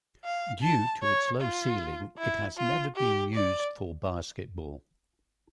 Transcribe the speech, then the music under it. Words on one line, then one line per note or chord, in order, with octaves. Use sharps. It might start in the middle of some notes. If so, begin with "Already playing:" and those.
Due to its low ceiling, it has never been used for basketball.
F5
A5
C#5
F4
E4
F4
G4
D5